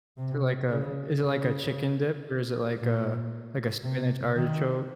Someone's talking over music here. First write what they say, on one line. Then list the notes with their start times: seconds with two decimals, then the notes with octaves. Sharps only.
So like a is it like a chicken dip? Or is it like a like a spinach artichoke?
0.18 C3
0.70 C#3
1.22 C#3
2.79 A#2
3.84 C3
4.36 D#3